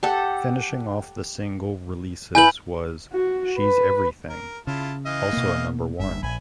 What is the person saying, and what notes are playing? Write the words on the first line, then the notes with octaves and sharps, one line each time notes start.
Finishing off the single releases was "She's Everything", also a Number One.
G4 A4 F#5
E4 B4 G#5 G6 F#7
F#4
B4
A#4
C#3 E4 F4 A5
E3 D#5 F5
B2 A#3
G1 G2 E5
A#1 E5 G#5 B5